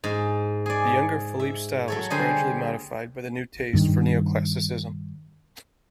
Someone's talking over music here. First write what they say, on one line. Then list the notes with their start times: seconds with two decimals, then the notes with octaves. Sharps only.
The younger Philippe's style was gradually modified by the new taste for Neoclassicism.
0.04 G#2
0.66 G#4 D5
1.40 E5
1.88 F#3 A4 C#5
2.10 D3 G3 G#4 C5
3.73 G2 D#3